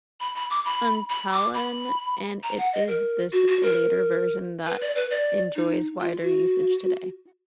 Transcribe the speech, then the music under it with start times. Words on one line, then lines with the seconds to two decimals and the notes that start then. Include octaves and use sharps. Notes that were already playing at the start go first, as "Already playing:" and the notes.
Untalan, and it is this later version that enjoys wider usage today.
0.20 B5
0.35 B5
0.50 D6
0.65 B5
1.10 B5
1.32 D6
1.54 B5
2.43 A#5
2.58 F#5
2.73 D#5
2.88 A#4
3.32 F#4
3.48 F#4
3.62 A#4
4.66 B4
4.81 D5
4.96 B4
5.11 D5
5.55 D#4
6.00 F4
6.22 F#4